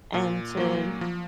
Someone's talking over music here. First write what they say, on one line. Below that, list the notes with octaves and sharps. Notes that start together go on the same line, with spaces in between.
and to
A#2
F#3 A#3
F3